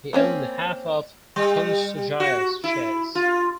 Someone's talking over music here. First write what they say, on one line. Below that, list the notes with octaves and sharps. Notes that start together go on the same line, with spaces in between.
He owned half of Konsojaya's shares.
A#3 C4 C#4
G3
F#4
E4
F4